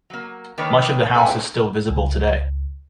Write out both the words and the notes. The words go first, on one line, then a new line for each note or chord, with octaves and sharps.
Much of the house is still visible today.
F#3 A#3
D#3 A#3 D4 B4 C#5 A#5
A4 B4 E5 G5 G#5
C#2